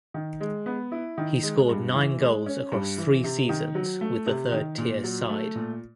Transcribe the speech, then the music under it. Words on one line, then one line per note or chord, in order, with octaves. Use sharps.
He scored nine goals across three seasons with the third tier side.
D#3
G#3
B3
E4
D#3
G#3
G2
E3
G#3
C#4
G2
E3
C3
D#3
F#3
A3
C3
D#3
A#2
F#3
A3
A#2